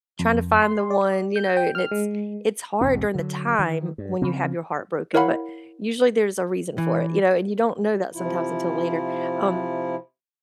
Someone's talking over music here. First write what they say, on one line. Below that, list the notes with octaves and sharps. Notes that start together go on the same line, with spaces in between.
trying to find the one, you know, and it's it's hard during the time when you have your heart broken, but usually there's a reason for it, you know, and you don't know that sometimes until later, um,
F2
C6
D5
G6
G5
F6
G#3
B1 E2 G#2 C4
D3 F#3
D#3 E3
G2
C#3 F3 C4
E4 A#4 C#5 F5 F#5 B5
E3
C3 F3 E4 F4